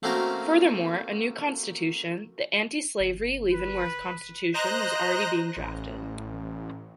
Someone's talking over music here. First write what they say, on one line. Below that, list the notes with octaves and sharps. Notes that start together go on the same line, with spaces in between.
Furthermore, a new constitution, the anti-slavery Leavenworth Constitution, was already being drafted.
A3 A#3 C4 C#4 F#4 A#4
G1
B4
C5 D#5 A#5 F#6 A#6
A1